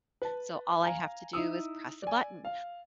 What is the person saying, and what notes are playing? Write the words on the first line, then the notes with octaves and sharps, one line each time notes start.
so all I have to do is press a button,
B4 A5
F5 G#5 A#5
D#4 E4 D#6 E6
D5 G#5
F5